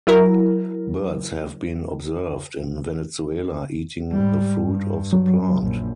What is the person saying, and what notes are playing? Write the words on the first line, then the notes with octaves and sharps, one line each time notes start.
Birds have been observed in Venezuela eating the fruit of the plant.
F#3 E4 A#4
G#2 G3
G2
F#3
A#1 F#2